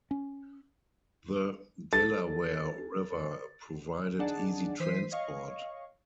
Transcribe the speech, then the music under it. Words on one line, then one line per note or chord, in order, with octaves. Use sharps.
The Delaware River provided easy transport.
C#4
A4 A6
D4 D#4 G#4 D5 F#5 A5
E3 C5 B6 C7 D#7
C#5 D#5 F5 C#6